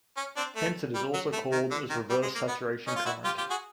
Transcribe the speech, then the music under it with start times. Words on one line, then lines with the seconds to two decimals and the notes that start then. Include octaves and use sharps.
Hence it is also called as reverse saturation current.
0.17 C#4
0.37 C4 D4
0.56 A3
0.95 G3
1.14 F#3
1.33 A3
1.52 D#3
1.71 D3
1.90 D#3
2.10 G3
2.23 G#3
2.35 A#3
2.48 B3
2.87 C#4 D#4
2.96 F4
3.06 E4 F#4
3.25 F4 G4
3.38 F4 G4
3.50 F#4 G#4